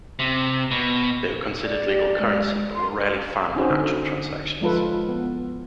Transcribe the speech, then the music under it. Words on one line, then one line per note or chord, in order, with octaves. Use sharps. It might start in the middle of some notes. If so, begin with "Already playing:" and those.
They were considered legal currency, but were rarely found in actual transactions.
C3
B2
D5
G4
G#3
C6
C4 C#4 D#4 F#4 G#4 C5
D3
F3 G#3 F4 A4 B4
B3